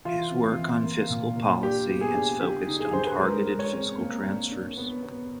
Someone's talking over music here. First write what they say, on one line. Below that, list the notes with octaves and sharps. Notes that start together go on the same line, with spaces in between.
His work on fiscal policy has focused on targeted fiscal transfers.
E3 F4
C4
E3
A#3
A#2
A#3
D4 G4
B3
G#4
D4
D3 G4
D#4
G#4
D3 C5
B4
G#3 A#4
G#3
C#5
C4
A#3
D4
D4
B3
B3